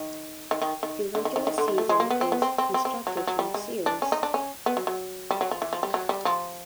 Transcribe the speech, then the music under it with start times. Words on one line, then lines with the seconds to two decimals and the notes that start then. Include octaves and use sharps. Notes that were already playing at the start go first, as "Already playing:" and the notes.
The regular season is constructed from series.
Already playing: D#3
0.51 D#3
0.62 D#3
0.83 D#3
1.15 D3
1.25 D#3
1.36 D#3
1.47 D#3
1.58 D3
1.68 D#3
1.78 A3
1.89 G#3
2.00 A#3
2.10 B3
2.21 C4
2.32 B3
2.42 C4
2.58 C4
2.74 C4
2.85 C4
3.07 F#3
3.17 F#3
3.27 F#3
3.39 G3
3.54 G#3
3.86 D4
4.02 C#4
4.12 D#4
4.23 D4
4.34 C#4
4.66 B3
4.77 F#3
4.87 F#3
5.31 G3
5.41 F#3
5.51 F3
5.62 E3
5.73 F3
5.83 G3
5.94 F#3
6.09 G3
6.25 F3